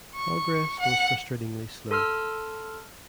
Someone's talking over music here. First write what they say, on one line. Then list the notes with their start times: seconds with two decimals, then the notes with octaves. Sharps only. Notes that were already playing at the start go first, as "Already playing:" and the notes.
Progress was frustratingly slow.
0.15 C#6
0.80 F#5
1.91 A4 C6 E6 F6